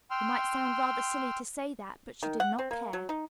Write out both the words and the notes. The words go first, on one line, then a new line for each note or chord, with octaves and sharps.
It might sound rather silly to say that but she did not care.
G5 C6 E6 F6
D#3
F#5
C4
A#3
F#3
D#4